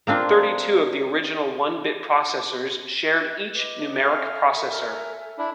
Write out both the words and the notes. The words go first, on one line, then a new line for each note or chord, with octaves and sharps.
Thirty-two of the original one-bit processors shared each numeric processor.
A#3 C4 D4 F4
B4 D#5 D6
A4 E5 F5 G#5
A#4
D4 E4